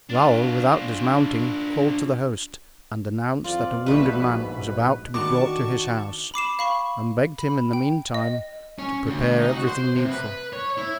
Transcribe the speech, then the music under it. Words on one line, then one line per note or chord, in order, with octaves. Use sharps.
Raoul, without dismounting, called to the host and announced that a wounded man was about to be brought to his house and begged him in the meantime to prepare everything needful.
D4 F4
F2 F4 D5
A#1 G#2 B2 G3 A3 B4
D#3 D4 F#4 A5 C#6 D6
B5 D6 C7 E7
F5 B5 C#6
B5
G5
D#5
C#4
D2
D#4
F#4
C5
C3
B4
C#5
E4